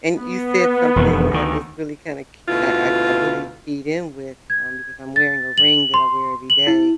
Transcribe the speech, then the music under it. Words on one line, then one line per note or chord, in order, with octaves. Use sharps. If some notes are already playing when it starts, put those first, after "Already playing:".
And you said something that was really kinda k I I I really keyed in with, um, because I'm wearing a ring that I wear every day.
B3
E1 F2 D#3
D2 D#3
D2 B2 E4 F4
G#6
A6
F#7
C6
F#7
E4